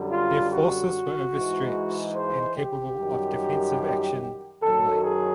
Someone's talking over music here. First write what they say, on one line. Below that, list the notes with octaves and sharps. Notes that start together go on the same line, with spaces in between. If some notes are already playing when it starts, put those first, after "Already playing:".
Their forces were overstretched and capable of defensive action only.
Already playing: F#2 D3 G3
F4
F#4
G#2 E3 G#3
C5
G4
F#2 D#3 G3
F#2 D#3 F#3 A4
G#4